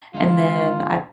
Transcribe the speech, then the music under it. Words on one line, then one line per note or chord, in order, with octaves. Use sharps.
and then I've
D3 G#3 D#4 F4